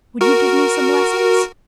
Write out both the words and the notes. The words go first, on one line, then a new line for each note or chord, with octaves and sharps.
Would you give me some lessons?'
F#4 A#4